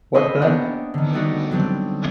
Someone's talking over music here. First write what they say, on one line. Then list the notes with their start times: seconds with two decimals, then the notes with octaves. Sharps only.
What the...?
0.14 G#4 C5 C#5 D#5 E5 B5
0.41 A#3 B3 C#4 D4 G4 F#5
0.94 D3 D#3
1.13 G3 A3 B3 D4 D#4 F#4
1.51 D3 F#3 G3 C4